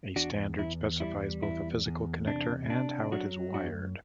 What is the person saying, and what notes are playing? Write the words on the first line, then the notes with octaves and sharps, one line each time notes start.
A standard specifies both a physical connector and how it is wired.
E2 D4 F#4
E2 E4
G3 E4
E2 E4
E2
C3 D4
D4
F#3 D4 F#4
F#2 D4 F#4